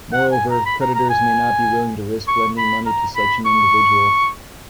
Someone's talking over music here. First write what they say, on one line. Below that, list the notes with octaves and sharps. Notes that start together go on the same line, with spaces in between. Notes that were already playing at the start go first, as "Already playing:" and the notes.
Moreover, creditors may not be willing to risk lending money to such an individual.
F#5
G#5
A#5
B5
A#5
A#5
G#5
C#6
B5
A#5
B5
C#6